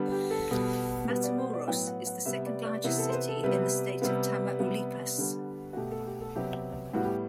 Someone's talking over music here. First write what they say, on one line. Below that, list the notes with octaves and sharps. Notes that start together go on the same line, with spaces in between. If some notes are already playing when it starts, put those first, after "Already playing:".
Matamoros is the second largest city in the state of Tamaulipas.
Already playing: D3 G3 B3
G4
A4
B2 G3 B3
B2 G3 B3 B4
D5
C5
D5
A2 F#3 B3 G5
F#5
F#5
C3 G3 B3 E5
D5
D5
C3 E3 B3 B4
A4
C5
B4
A4
C3 G3 B3 B4
C3 G3 B3
C3 G3 B3
D3 G3 B3
F#4
B2 A3 G4
A4
G4
A4
C3 F#3 B3 G4
A2 G3 B3 F#4
G4